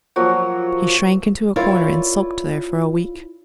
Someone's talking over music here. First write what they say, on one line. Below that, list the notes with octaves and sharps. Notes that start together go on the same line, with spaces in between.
He shrank into a corner and sulked there for a week.
F3 F#3 A#3 F#4
E4 F4 A#4 C#5 D5 F5